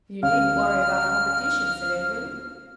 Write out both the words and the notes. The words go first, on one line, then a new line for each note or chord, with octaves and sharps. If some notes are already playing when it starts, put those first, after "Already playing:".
"You needn't worry about competition," said Edwin.
D2 C#4 F5 F6